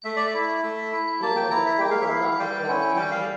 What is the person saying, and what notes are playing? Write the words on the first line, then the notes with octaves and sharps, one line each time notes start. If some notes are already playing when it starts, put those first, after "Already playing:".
It was a forerunner of the Althingi.
A3 E5
D5
E5
E4
A3
E4
A#3 A5
G5
E4 A#5
E5
A#3 G5
F5
E5
E4 F5
F5
G3 G5
C#4 E4
G3 G5
F5